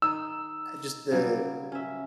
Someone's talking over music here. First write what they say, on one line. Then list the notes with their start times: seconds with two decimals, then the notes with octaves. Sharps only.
uh, just the
0.02 D#3 D#4 E6
1.11 C#3 F#3 G3
1.72 C#4 E5